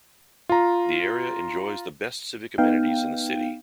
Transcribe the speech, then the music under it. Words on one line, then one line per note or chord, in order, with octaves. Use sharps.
The area enjoys the best civic amenities in the city.
F4 A#5
B3 D#4 F5 G5